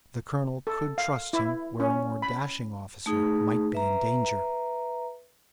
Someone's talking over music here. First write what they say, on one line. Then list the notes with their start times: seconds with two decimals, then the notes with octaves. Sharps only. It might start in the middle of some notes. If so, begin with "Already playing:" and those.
The colonel could trust him where a more dashing officer might be in danger.
0.67 A4
0.98 F5
1.33 E4
1.80 C#4
2.22 B5
3.06 A3 D#4 G#4
3.73 B4 E5 A#5